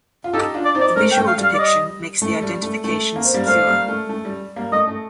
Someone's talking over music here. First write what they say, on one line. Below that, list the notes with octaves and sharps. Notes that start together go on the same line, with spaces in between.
The visual depiction makes the identification secure.
F4
D#4 G4 A4
D4 F4
D5
C4 D#4
D5
A3 C4 A#4
G5
A3
F5
G3
F5
D5
D#5
A3
G3
A3
A3
A#3
C4
G3 A#3
A3 C4 F5
G3 A#3
A3
A3
G3
G3 A#3
A3 D#5
A3